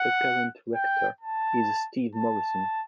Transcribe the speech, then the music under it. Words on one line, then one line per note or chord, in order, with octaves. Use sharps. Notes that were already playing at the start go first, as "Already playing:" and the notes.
The current Rector is Steve Morrison.
Already playing: F#5
G5
A5
A5